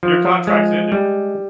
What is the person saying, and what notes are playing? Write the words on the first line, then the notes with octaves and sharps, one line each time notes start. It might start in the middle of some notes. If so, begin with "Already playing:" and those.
your contract's ended.
F3
G#3
G3